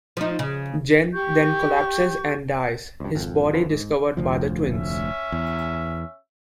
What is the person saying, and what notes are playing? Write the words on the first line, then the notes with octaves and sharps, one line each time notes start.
Gen then collapses and dies, his body discovered by the twins.
F3 D#4
C#3
G4 C#6 G6
C#2 G2
G#1 F2
F2 D3 E3 F3
G#2
F1 D2 F3
C#4 E5
E2